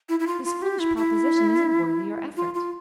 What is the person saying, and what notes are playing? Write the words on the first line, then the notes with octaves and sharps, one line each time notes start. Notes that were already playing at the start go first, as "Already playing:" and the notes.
This foolish proposition isn't worthy your effort.
E4
E4
F4
F4
G4
E4
E4
F4
F4